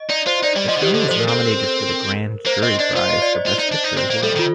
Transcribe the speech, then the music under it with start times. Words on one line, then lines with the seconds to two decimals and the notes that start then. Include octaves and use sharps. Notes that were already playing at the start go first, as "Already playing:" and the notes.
The film was nominated for the Grand Jury Prize for Best Picture as well.
Already playing: D#5
0.10 D#4 D5
0.27 F4 C5
0.43 D#4 D5
0.56 G3 D5
0.68 F3 D#5
0.77 D3
0.81 D#3 G4
0.94 D3 A4
1.09 F3 C5
1.20 A#4
1.28 C4
2.46 A#3 C5
2.63 C4 D#5
2.80 D4 D5
2.96 F4 C5
3.09 D#5
3.22 D5
3.35 C5
3.47 F4
3.59 D#4
3.72 D4
3.84 D#4
3.97 C4 C5
4.10 A#3
4.23 G3 A4
4.36 D#3 F4